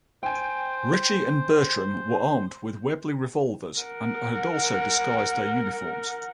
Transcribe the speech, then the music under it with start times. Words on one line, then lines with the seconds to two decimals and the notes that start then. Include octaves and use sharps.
Ritchie and Bertram were armed with Webley revolvers and had also disguised their uniforms.
0.23 C5 G5 G#5
3.79 A#4 F#5